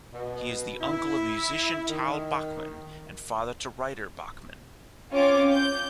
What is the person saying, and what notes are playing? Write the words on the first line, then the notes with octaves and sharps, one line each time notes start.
He is the uncle of musician Tal Bachman and father to Ryder Bachman.
B2
E4
D#3
C4 C#4 F4 D6
G6